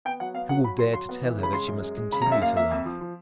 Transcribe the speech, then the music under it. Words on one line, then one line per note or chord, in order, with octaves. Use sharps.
Who will dare to tell her that she must continue to love?
B3 G5
F#3 F#5
B3 F5
F#3 F#5
F#3 B5
F#3 C6
F#3 C6
B3
E3
C#3
B5
G#3 C6
F#2
G#3
G#3
C#3 B5
A#5
F#2
E5
A#3 F5
A#3 E5
F2
F3
F3